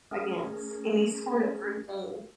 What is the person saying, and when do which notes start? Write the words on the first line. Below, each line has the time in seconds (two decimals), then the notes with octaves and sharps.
against any sort of routine
0.11 A3 C#4 G#4 A#4